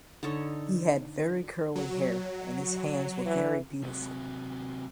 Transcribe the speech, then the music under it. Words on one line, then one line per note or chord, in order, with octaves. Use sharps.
He had very curly hair and his hands were very beautiful.
D3 D#4 A4 C#5
F#3
E3
C3 F#3